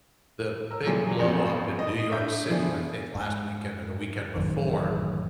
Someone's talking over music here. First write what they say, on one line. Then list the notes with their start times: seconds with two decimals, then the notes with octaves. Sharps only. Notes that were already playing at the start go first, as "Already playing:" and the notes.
the big blow up in New York City, I think last weekend or the weekend before,
0.71 A#4 E6
0.86 A#2 E3 F#3 G3 G#4
1.19 A1 F2 B2 F3 G#3
1.79 D#5
2.12 D4 E5 G6
2.48 B2 D3 E3 F3 D4 G#4
3.15 G#2
4.36 A1 F#2 D#3